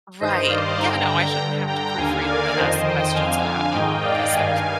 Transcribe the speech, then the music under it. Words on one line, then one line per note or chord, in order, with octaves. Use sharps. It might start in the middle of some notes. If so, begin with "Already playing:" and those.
Right. Yeah, no, I shouldn't have to proofread and then ask questions about, you know 'cause there was
G2 D#3 C5 D#5
D5 F5
G2 D3 G5 A#5
G2 D3
G5 A#5
D#2 D3 F5 G#5
A#4 D5
F2 D#3 C5 D#5
D#5 G5
F2 D3 F5 G#5
G#2 D#3 D#5 G5
D5 F5
G2 D#3 F5 G#5